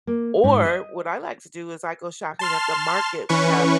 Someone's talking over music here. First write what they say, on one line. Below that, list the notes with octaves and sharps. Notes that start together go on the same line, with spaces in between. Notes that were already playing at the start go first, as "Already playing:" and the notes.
Or what I like to do is I go shopping at the market. We have
A#3
G#2
D#5
A5 C6 F6
E3 C#4 B4 C#6